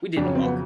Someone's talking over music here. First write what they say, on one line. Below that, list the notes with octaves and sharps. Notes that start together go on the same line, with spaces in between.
We didn't walk.
F2 C#3 F#3 D4
C#4
C4
B3